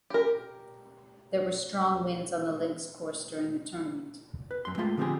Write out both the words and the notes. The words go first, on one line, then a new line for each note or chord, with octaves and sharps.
There were strong winds on the links course during the tournament.
G4 A#4
B4
F#2 C6
G#3 A3 F4 C6
D3 F3 C4 F4 G4 G#4